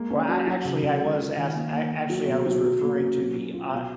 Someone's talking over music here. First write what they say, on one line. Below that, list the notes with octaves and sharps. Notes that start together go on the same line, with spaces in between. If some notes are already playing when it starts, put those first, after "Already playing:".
Well, I actually, I was ask I actually, I was referring to the a
Already playing: G#3 A#3
C#4
F#3
F#3
C#3
C#3
G#3
F4
D#3
A#3
A#3
A#3
F#3
B2
F#3
F#3
A#3
C#4
F#3
F#3
F4
B2